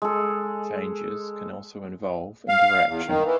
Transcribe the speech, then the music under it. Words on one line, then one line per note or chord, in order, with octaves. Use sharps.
Changes can also involve interaction.
G#3 A4
F5
E2
D#3
E3